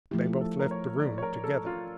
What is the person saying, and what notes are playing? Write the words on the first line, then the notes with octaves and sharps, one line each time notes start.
They both left the room together.
F3 A3 E4 G4
A4
A#4
C#5
D5
C#5
A#4
A4
F4